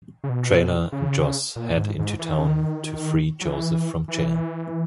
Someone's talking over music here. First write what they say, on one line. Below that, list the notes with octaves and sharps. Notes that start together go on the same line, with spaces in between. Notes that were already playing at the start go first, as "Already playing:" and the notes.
Traylor and Joss head into town to free Joseph from jail.
C#3
B2
C#3
A#2
G#2
G#2
E3
D#3
C#3
D#3
F#3
E3
E3